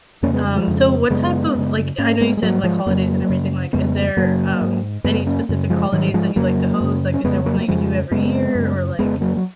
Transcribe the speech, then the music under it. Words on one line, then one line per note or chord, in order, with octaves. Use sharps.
Um, so what type of, like I know you said, like, holidays and everything, like, is there, um, any specific holidays that you like to host? Like, is there one that you do every year, or like,
F2 C#3 A#3 C#4
G#3 B3
F3 G#3
F2 C#3
F#2 C#3 G#3 B3
F#2 C#3
G#2 A#3 C#4
G#3 B3
G#3
G#2 F#3 A#3
F3 G#3
F2 C#3 F#3 A#3
F#2 C#3
F2 C#3 G#3 B3
F#2 C#3 F#3 A#3
G#2
F#2 C#3 G#3 B3
A#3 C#4
F#2 C#3
F3 G#3
G#2 D#3 F#3
F3 G#3
F2 C#3 F#3 A#3
F#2 C#3
C#4
F2 C#3 G#3 B3
F#3 A#3
A#3
F2 C#3 F3 G#3
F#2 C#3 G#3 B3
F#2 C#3
F2 C#3 G#3 B3
F#3 A#3
F#3